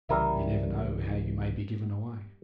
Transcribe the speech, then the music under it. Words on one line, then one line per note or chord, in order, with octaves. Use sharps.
You never know how you may be given away.
C2 C#3 E3 G3 A#4 E5